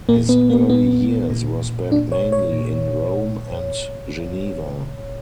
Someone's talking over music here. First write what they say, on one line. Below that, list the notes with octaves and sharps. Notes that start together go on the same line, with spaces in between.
His early years were spent mainly in Rome and Geneva.
A#2 A#3
B3
A#3
A#2 B3
A#2
A#2 D4
C#5
C#5
A#2